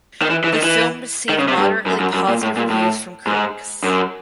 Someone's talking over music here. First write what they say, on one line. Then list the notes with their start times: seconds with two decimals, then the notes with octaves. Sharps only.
The film received moderately positive reviews from critics.
0.22 D#3
0.30 E3
0.44 E3
0.53 D#3
0.63 E3
1.29 D#3
1.39 C#3
1.48 C3
1.57 G2
1.86 F#2
2.00 F#2
2.14 F#2
2.28 A#2
2.43 A2
2.56 A#2
2.70 A2
3.27 G#2
3.84 F#2